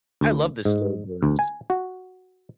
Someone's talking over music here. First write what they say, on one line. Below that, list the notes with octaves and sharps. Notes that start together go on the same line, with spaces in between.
I love the slow burns.
D2
G#2
D2
G#5
F#4